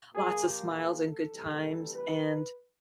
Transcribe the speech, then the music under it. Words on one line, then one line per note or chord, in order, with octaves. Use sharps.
lots of smiles and good times, and
A#2 F3 A#3 G#4
G4
G#4
A4
D2 C3 E3 G3
B4